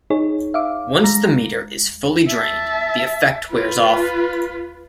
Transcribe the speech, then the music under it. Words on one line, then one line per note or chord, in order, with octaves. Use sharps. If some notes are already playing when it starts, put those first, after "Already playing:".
Once the meter is fully drained, the effect wears off.
D#4 G#4 C#5
E5 F5 D6
G#3 A#5 A#6
E5 A5
F4 B4